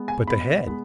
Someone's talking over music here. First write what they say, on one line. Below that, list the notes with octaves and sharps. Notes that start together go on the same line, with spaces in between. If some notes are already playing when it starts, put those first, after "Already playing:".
"But the head?"
Already playing: G#3 B3
G#5
B2 B5
G#3 B3